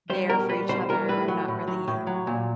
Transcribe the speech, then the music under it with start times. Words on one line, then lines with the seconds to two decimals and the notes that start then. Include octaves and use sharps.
there for each other, not really
0.10 G3 C5
0.29 B2 A#4
0.49 G3 B4
0.69 B2 C5
0.89 G3 A#4
1.09 A2 B4
1.28 F#3
1.48 A2
1.68 F#3
1.88 A2
2.07 F#3
2.27 A#2